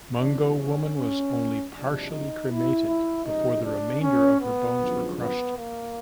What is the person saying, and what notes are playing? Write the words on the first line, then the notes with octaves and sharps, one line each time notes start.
Mungo Woman was only partially cremated before the remainder of her bones were crushed.
F#1 E2 C3 E3 D4
C#4
C#4
F#1 E2 C3 F3 G#3 D4
D#4
E4
E4
C#2 C3 F3 G#3 D#4
D4
C#4
B3
F#2 D3 F3 G#3
B3
A#3